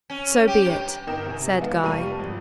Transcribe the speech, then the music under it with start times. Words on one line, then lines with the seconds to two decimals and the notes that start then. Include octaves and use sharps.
"So be it," said Guy.
0.10 C#4
0.48 G4
0.66 G2
1.07 G1 D#4 A#4 G5 E7
1.26 C3 G#5
1.58 D#3 G#3 A3 B3 F4
1.83 F1 G3 A#3 A5 C#6 D#7
2.19 G#1 F3